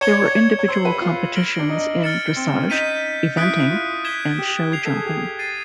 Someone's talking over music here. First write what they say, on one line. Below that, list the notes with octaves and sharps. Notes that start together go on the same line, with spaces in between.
There were individual competitions in dressage, eventing, and show jumping.
C#5 G#6 C#7 E7 G7
D5
C#5
C#5
C5 E6 G#6 C7
B4
F4
F6 A#6 D7 F#7
D4
D#4
F6 A6 C#7 E7
C4
C#4
D#4 G6 B6 D#7
E4 D#6 F#6 B6 D7
F4
G#6 B6 E7 G7
G4
G#6 C7 F7
A4
G#4
G4
A6 C7 D#7